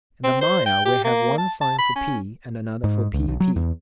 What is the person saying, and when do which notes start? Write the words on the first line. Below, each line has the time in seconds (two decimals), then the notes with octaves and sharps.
In the Maya we have one sign for p, and another for pp.
0.24 C4
0.42 C5
0.66 G5
0.85 G4
1.05 A#3
1.38 A5
1.61 A5
1.79 B5
1.96 C#4
2.84 G#2
3.14 C#2
3.28 B1
3.40 F#3
3.56 E2